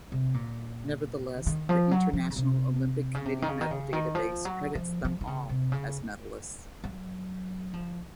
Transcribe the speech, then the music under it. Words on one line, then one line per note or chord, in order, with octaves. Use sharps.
Nevertheless, the International Olympic Committee medal database credits them all as medalists.
C3
A#2
F3
D#3
F3
F#3
F3
C#3
C3
C#3
C3
D#3
C#3
D#3
C#3
D#3
F3
F#3
F3
F3
D#3
C#3
C3
C#3
F#3
F3